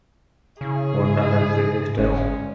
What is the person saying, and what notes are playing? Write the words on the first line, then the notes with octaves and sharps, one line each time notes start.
Vonda has three sisters.
C#3 E4 G#4
G1 G#3 C#4